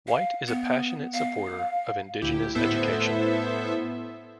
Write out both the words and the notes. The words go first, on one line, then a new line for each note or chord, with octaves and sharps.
White is a passionate supporter of indigenous education.
F5
B3
F5
D2 E4 G4
A2 B3 E4 A4 C5 E5